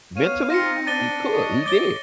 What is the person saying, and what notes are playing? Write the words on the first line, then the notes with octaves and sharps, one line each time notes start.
mentally, he could, he did
B3 C#5 F5 D#7
C4 D#4 F4 A#6 C#7
D4 A6 D#7 G7
C#5 D#5
D6 A6 G7